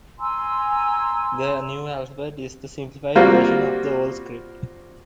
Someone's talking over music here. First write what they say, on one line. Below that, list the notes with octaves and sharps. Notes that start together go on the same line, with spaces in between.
The new alphabet is a simplified version of the old script.
G#5 A#5 C6 E6
G3 A#3 C4 F4 F#4